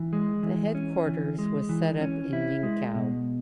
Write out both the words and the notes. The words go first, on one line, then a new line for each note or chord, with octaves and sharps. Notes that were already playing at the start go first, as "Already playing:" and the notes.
The headquarters was set up in Yingkou.
Already playing: E3
G#3
E3
C#4
E3
G#3
E3
C#4
E4
G#3
B2